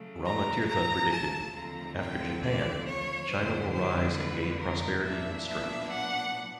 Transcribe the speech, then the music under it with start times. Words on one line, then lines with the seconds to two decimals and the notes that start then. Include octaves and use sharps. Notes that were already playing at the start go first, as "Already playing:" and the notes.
Rama Tirtha predicted: After Japan, China will rise and gain prosperity and strength.
Already playing: C#3 F#3 A3
0.24 A#5
0.68 A#5
1.11 A5
1.54 D#2 D3 F3 A3 C4 A#5
1.97 G5
2.41 D5
2.85 C#5
3.29 F2 D3 G3 C5
3.71 C5
4.16 B4
4.59 A#4
5.03 A#2 F#3 B3 D4 E5
5.46 E5
5.89 F#5